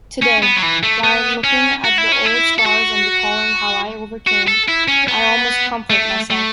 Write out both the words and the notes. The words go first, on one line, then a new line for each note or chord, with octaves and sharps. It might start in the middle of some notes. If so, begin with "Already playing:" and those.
Today, while looking at the old scars and recalling how I overcame, I almost comfort myself.
C#4
B3
F#3
E3
A3
B3
C#4
F#4
E4
C#4
E4
A4
F#4
F#4
A4
E4
C#4
B3
A3
A3